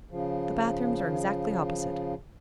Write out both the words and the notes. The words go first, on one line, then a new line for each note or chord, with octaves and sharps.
"The bathrooms are exactly opposite."
C#3 F3